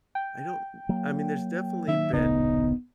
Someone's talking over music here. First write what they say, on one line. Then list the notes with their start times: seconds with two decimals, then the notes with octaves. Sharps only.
I don't I mean, there's definitely been
0.15 G5
0.89 F#3 A#3
1.88 D#3 E5
2.13 D1 A#1 C#3 B3 D#4